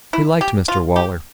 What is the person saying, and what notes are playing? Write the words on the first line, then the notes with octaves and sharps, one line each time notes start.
He liked Mr Waller.
E4
G4
F4
G4